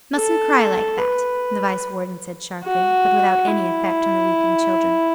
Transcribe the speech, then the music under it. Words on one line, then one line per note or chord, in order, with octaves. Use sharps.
"Mustn't cry like that!" the Vice-Warden said sharply, but without any effect on the weeping children.
A4
B4
F#4
E4